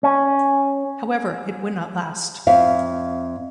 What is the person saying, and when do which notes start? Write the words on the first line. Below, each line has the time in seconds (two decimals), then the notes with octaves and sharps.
However, it would not last.
0.03 C#4
2.47 F2 E5 F5